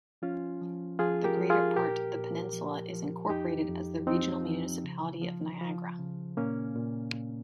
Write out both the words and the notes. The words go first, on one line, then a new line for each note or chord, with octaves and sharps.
The greater part of the peninsula is incorporated as the Regional Municipality of Niagara.
F3 C#4 F4
F3
F3 F4 G#4
G4 A#4
F3
F4 G#4
A#2 G4 A#4
A#2
F3
F3
F2 D#4 G4
F2
F3 C4 D#4
F3
C#3
F3
F3
C#3
A#2 A#3 C#4
A#2
A#2